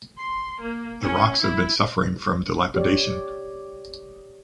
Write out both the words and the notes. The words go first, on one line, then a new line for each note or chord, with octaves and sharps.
The rocks have been suffering from dilapidation.
C6
A#3
C#4
E4
G4 C#5 D5